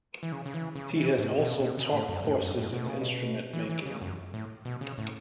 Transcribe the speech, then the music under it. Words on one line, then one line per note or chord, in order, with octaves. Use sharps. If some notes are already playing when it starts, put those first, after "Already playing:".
He has also taught courses in instrument making.
E3
C#3
C#3
E3
C#3
E3
A2
B2
B2
C#3
A2
F#2
A2
F#2
A2
B2
C#3
B2
E3
E3
C#3
F#2
A2
B2
C#3
A2